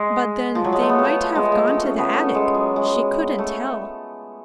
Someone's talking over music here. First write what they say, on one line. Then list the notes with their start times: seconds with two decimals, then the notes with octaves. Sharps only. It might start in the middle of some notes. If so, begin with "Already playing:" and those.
But then they might have gone to the attic--she couldn't tell.
Already playing: G#3
0.55 F3
0.64 F#3
0.73 G#3
0.80 A3
0.89 B3
0.99 A3
1.05 B3
1.20 F3
1.35 G#3
1.52 G#3
1.67 A3
1.83 C#4
1.98 B3
2.14 A3
2.34 G#3
2.55 F#3
2.76 G#3
3.38 A3